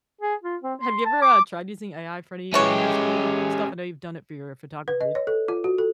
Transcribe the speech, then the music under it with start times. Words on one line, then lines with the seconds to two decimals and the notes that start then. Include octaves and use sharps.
have you ever, uh, tried using AI for any, uh, musical stuff? I know you've done it for your photography.
0.21 G#4
0.44 F4
0.63 C4
0.80 C6
1.06 A5
1.22 D6
2.54 E3 G#3 C#4 G4 C#5
4.88 B4
5.01 D#5
5.15 C#5
5.27 A4
5.48 F4
5.64 F#4
5.78 A4